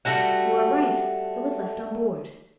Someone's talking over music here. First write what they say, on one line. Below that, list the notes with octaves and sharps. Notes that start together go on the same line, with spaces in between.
"You are right; it was left on board."
G3 A3 F#4 F#5